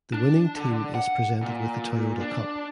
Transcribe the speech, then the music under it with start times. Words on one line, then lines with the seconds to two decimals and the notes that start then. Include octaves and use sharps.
The winning team is presented with the Toyota Cup.
0.13 D4
0.56 D3
0.95 F#5
1.42 A#2
2.20 D4